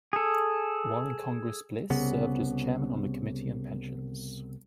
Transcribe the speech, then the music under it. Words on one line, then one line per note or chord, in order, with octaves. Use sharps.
While in Congress Bliss served as Chairman on the Committee on Pensions.
G#4 A4
C2 C#3 B3